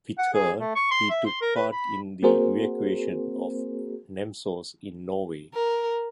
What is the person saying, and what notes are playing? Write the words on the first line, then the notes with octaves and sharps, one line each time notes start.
With her he took part in the evacuation of Namsos in Norway.
F#5
G#4
A3
C#6
C6
E5
C6
A#4
B4
B5
A#3 C4 F#4 G#4 A#4 C5
A#4